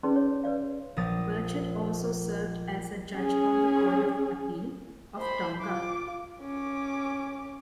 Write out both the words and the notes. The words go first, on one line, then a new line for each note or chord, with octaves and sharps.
Burchett also served as a judge on the Court of Appeal of Tonga.
C#4 D#4 G#4 B4 D5 C6
C#5
B4 C#5 D5 F5
A#1 F3 D#6 A6
C#4 G#4
C5 B5
F4 D6
C#4 D6